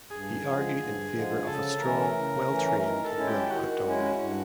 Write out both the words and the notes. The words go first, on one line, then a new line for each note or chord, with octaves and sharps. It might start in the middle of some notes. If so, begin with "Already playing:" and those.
He argued in favour of a strong, well-trained and well-equipped army.
G2 G#4
D3 F3 G#3
G2
D3 F3 G#3
C#3 A4
E3 A3 C#4 A#4
C#3
E3 A3 C#4
D#3 A#4
A4
G#3 C#4 E4
G4
D#3 F#4
G#3 C#4 E4
G2